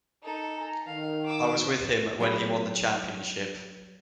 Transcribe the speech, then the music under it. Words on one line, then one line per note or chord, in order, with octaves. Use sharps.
I was with him when he won the Championship.
D#4 A4
G#5 A#5
D#3 F5
D6 E6
C5
F#3 B3 G#4 B5